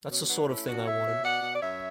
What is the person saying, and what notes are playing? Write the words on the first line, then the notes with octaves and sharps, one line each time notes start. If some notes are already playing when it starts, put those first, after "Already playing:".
That's the sort of thing I wanted.
B2 C#4
F#3 B3 D4
A3 C#4 E4
B2 D4 F#4
B2 C#5 E5
B2
B2 D5 F#5
B2
D5
F#2 C#5 E5